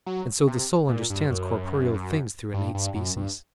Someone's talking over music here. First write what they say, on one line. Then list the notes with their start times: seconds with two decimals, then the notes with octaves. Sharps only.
And so the soul understands corporeal things through innate species.
0.06 F#3
0.47 C3
0.89 A#2
1.10 G2
1.30 F#2
2.54 G2
2.75 G2
2.95 F#2
3.17 G2